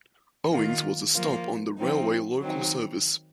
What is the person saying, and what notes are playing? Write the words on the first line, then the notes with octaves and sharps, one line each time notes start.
Owings was a stop on the railway local service.
D#3 A#3 F4
F3 A#3 F4
F3 C4 D#4
D#3 F#3 C4 D#4